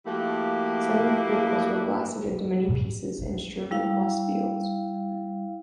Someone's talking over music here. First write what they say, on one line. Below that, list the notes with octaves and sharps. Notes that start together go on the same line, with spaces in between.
Some of the vehicles were blasted into many pieces and strewn across fields.
F3 A3 A#3 E4 F#4 G4
G3 E4 F5